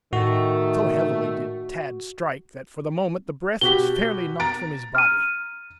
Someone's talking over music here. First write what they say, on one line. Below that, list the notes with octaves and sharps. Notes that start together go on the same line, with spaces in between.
So heavily did Tad strike that, for the moment, the breath was fairly knocked from his body.
A2 D#3 A3 F#4
B2 F#4 G4 G7
A#5 A6 D7
F6 D#7